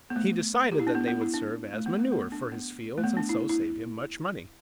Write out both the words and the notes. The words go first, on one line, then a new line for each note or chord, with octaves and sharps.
He decided that they would serve as manure for his fields, and so save him much money.
B3
A3
G4
E4
D4
B3
B3
E4
D4
A3
B3
A3
B3
D4
B3
A3
B3
D4
E4
E4